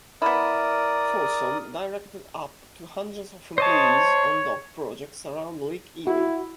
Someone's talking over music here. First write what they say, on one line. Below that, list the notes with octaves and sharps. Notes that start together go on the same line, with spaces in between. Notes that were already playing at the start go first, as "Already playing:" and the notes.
Folsom directed up to hundreds of employees on dock projects around Lake Erie.
B3 E4 A#4 D5 D#6
C5 C#5 D#5 A5
E4 F#4